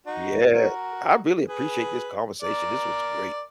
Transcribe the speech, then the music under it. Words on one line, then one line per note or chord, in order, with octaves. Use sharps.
Yeah. I really appreciate this conversation. This was great.
D#4 F#4
F#4 A#4
G#4 B4
A#4 D5